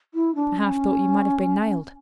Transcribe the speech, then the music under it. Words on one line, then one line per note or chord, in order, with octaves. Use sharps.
I half thought you might have been nailed.
E4
D4
C#4